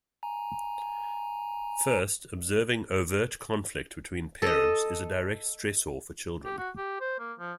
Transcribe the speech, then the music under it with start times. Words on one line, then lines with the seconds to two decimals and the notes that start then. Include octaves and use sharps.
First, observing overt conflict between parents is a direct stressor for children.
0.23 G#5 A#5
4.42 A4 D#5
6.44 G4
6.58 F#4
6.77 G4
7.00 C5
7.19 A#3
7.39 F3